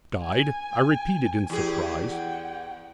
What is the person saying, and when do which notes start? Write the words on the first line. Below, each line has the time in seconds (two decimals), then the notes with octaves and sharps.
"Died?" I repeated, in surprise.
0.21 G#5
1.50 E2 G4 G#4
2.06 F#5 G5